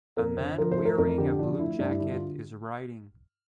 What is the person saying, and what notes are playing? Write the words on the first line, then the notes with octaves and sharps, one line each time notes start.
A man wearing a blue jacket is writing.
F2 A#4
D3 C5
F3 A#4
C5
A3
A#4
F2 A#4
D3 G4
F3 D4
A3 E4
G2 D4
E4
D3 E4
F4